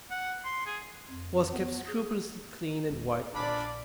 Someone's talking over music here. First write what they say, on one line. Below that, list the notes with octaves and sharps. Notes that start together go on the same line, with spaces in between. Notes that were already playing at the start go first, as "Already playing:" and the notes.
It was kept scrupulously clean and whitewashed.
F#5
C6
G#4
F2
B3
G#4
E1
A#1 D4 F4 G#4 D5 B5